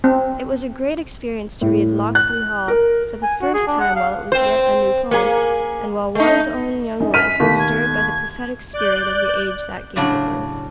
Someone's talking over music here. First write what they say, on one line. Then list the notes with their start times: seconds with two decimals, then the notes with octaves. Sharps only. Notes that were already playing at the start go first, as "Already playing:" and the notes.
It was a great experience to read "Locksley Hall" for the first time while it was yet a new poem, and while one's own young life was stirred by the prophetic spirit of the age that gave it birth.
0.04 C4
1.61 A2
2.15 F#6
2.68 A#4
3.23 G#5
3.41 F#4
3.54 G#4
3.67 D4
3.80 F#5
3.96 F5
4.32 C4 C5
5.11 A#3 G#4
6.15 A3 D#4
7.00 F#2 D#4
7.14 F6 B6 D#7
7.40 D#2 B2 A3
7.59 G#6
8.73 D5 F#6 G6
9.96 A2 C#3 F#3 D4